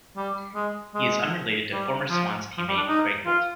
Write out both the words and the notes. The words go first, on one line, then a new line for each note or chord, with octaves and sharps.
He is unrelated to former Swans teammate Craig Bolton.
G3
G#3
G#3
G3
F3
F3
G3
D4
D#4
F4